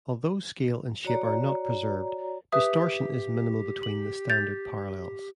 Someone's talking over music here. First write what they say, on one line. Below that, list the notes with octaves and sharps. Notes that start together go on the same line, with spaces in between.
Although scale and shape are not preserved, distortion is minimal between the standard parallels.
F#4 C#5 D5 A#5
G4 B4 E5 D#6
F#7
G6 A6 F7